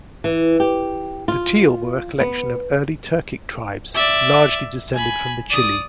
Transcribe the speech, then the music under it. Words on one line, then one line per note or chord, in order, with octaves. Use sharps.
The Tiele were a collection of early Turkic tribes, largely descended from the Chile.
E3
G4
F4
B3
D5 E5
G#5 B5
D5 D#6